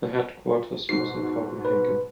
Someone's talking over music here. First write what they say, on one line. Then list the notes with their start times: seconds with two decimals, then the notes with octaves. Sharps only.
The headquarters was in Copenhagen.
0.89 G#2 B2 C7
1.65 B4